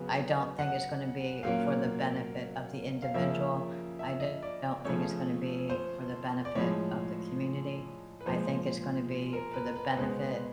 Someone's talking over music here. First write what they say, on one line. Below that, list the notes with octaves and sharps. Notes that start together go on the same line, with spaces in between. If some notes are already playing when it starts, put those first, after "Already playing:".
I don't think it's gonna be for the benefit of the individual. I do not think it's gonna be for the benefit of the community. I think it's gonna be for the benefit
Already playing: C#3 F#3 B3
F#5
A#2 F#3 A#3 C#4 F5
F5
C#3 F3 A#3 C#4 E5
E5
D#5
D5
C#3 F3 A3 C#4 C#5
C5
D5
A2 F3 G#3 C#5
B4
A#2 F3 G#3 C5
A#4
B4
B4
B2 G#3 B3 C5